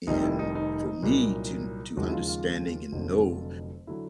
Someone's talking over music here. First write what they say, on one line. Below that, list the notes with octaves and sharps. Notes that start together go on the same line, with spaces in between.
and for me to n to understanding and know
F1 F2 C3 D#3 G3 D#4
E4
D#4
D#4
C2 A#2 F#3
D#2 C#3 F3 G#3 F#4
E4
F4
F4
F1 F2 D3 F#3
D3 F#3 E4